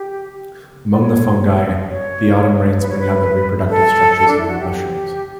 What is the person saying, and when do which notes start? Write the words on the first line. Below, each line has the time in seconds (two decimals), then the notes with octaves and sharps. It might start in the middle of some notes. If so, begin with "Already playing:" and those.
Among the fungi, the autumn rains bring out the reproductive structures of the mushrooms.
Already playing: G4
0.93 D5
1.01 C#5
1.90 C#5
2.80 B4
2.89 C#5
2.99 B4
3.69 A4
4.28 D4
4.38 E4
4.48 F#4
4.59 G4